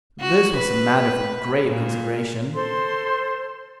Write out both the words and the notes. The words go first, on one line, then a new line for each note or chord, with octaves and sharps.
This was a matter for grave consideration.
F#4
B4
A#2
A4 C5 C6